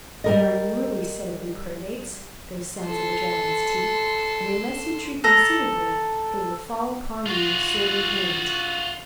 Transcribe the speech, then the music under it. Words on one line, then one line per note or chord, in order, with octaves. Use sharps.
They are an unruly set of reprobates, those sons of the dragon's teeth; and unless you treat them suitably, they will fall upon you sword in hand.
G3 A#4 D#5
A4 C6
A4 A#5
F4 F#4